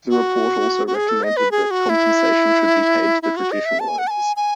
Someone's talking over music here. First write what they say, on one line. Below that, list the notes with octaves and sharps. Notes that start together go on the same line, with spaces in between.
The report also recommended that compensation should be paid to the traditional owners.
F#4
F#4
G#4
A4
D#5
B4
G#4
F#4
E4
E4
F#4
D#5
E5
A5
G#5
F#5
A5
G#5
G#5